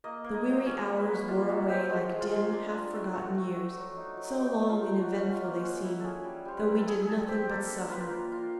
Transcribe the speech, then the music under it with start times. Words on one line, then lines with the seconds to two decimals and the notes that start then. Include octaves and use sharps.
The weary hours wore away like dim half-forgotten years, so long and eventful they seemed, though we did nothing but suffer.
0.04 A#3 D#5
0.24 A#3
0.34 D#5
0.45 F#3
0.66 C#4 C#5
0.86 A#3
0.97 B4
1.07 A#3
1.28 G#3 F4
1.49 G#3 F#4
1.69 C4 G4
1.89 G#3 F#4
2.11 G#3
2.21 F4
2.32 G#3
2.53 D4
2.73 D4
2.93 A3
3.14 A3 F#4
3.35 A3
3.55 A3
3.76 F#3
3.97 D#4
4.17 F#3
4.38 D#4 G4
4.59 F#3
4.69 F4
4.79 D#4
5.00 F#3 F#4
5.21 C#4
5.31 F4
5.42 A#3
5.62 C#4 F#4
5.83 E4 F#4
6.00 C#4 G#4 A4
6.24 G3
6.45 G3 C5
6.58 B4
6.66 E4 A#4
6.78 A4
6.87 E4 G#4
7.02 G#4
7.08 G3 A4
7.28 C4 G4
7.49 A#3 A4
7.70 D4
7.80 A#4
7.90 F4 B4
8.00 A#4
8.11 A#3
8.32 F4